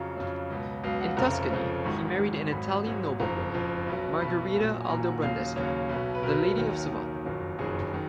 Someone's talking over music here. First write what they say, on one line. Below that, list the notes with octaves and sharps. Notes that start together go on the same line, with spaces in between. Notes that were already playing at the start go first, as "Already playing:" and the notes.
In Tuscany, he married an Italian noblewoman, Margherita Aldobrandesca, the Lady of Sovana.
Already playing: F2 C#3 F#3 A#5
F2 C#3 F#3
C#2 B2 F#3
C#2 B2 F#3 F5
F#5
F1 F2 C#3 F3 A#5
F1 F2 C#3 F3
G#1 G#2 D#3 F#3 C#6
G#1 G#2 D#3 F#3
G#1 G#2 F#3 B5
G#1 G#2 F#3
F#1 F2 F3 A#5
F#1 F2 F3
B1 B2 F#3
B1 B2 F#3 B5
A#1 A#2 F#3
G#5
A#1 A#2 F#3 A#5
F#5
D#2 C#3 F#3 F5
D#2 C#3 F#3 C#5
B1 B2 F#3
B4
B1 B2 F#3 A#4
D#2 D#3 F#3
D#2 D#3 F#3
F#1 F2 D#3 F#3
F#1 F2 D#3 F#3 G#4
D#3 F#3